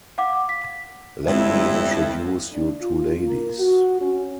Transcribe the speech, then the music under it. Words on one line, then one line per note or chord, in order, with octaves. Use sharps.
Let me introduce you two ladies.
F5 F#5 D6
B6
G1 F2 G#3 C4 E4
D4
F4
A#3
F#4
C#4